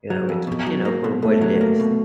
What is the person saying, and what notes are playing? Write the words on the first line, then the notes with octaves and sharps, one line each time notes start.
You know, it you know, for what it is.
F#3
F2
B2
F#3
A#3
B2
B2 A3
F#3
A#3
B2